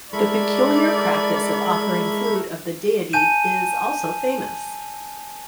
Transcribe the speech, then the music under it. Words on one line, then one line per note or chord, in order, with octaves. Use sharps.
The peculiar practice of offering food of the deity is also famous.
G#3 E4 A4 A#4 D5 B5 C#6
G#5 A5 G6 D#7